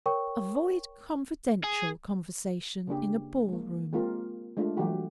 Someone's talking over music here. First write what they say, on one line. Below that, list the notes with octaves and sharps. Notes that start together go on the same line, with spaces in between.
Avoid confidential conversation in a ball room.
A#4 C#5 G5 C#6
G#4
C#3 A#3 D4 G4
G#3 A#3
G#3 A#3 C4 F4 G4 A#4
G#3 A3 D4 F4
E3 F#3 G3 A3 F#4 G4